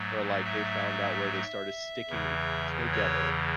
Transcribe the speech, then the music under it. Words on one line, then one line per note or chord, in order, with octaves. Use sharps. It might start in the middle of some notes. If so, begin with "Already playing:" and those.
where, like, they found out where they started sticking together
Already playing: G#2 F#3 A3
E5
E2 C#3 E3
C#5